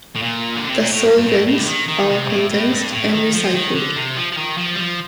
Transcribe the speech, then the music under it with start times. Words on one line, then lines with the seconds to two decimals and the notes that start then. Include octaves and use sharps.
The solvents are condensed and recycled.
0.16 A2
0.22 A#2
0.56 D3
0.69 C3
0.81 A#2
0.92 A2
1.05 G2
1.17 G2
1.26 A2
1.47 A2
1.59 D3
1.67 D#3
1.88 D#3
2.09 C3
2.29 A2
2.51 A2
2.71 G2
2.93 A2
3.12 D#3
3.34 F3
3.55 D#3
3.75 D3
3.96 C3
4.17 F3
4.32 F3
4.37 D#3
4.58 F3
4.75 G3
4.79 F3